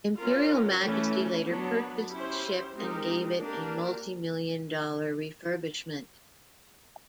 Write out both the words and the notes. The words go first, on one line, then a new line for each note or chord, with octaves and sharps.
Imperial Majesty later purchased the ship and gave it a multi-million dollar refurbishment.
C#4 F4 A#4
E3 A3 C#4
F#3 B3 D4
C#4 E4 G4 C5
G#3 C4 D#4 G4 A#4
A#3 D4 G4 A#4